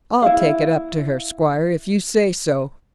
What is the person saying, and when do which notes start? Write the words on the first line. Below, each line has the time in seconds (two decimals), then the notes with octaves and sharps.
I'll take it up to her, squire, if you say so.
0.22 E4 F5